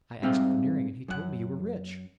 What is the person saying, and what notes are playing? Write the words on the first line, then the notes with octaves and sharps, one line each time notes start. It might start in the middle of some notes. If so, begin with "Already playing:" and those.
'I asked Veneering, and he told me you were rich.'
G#2 G3 C4 E5 F5 G5
F#2 F#5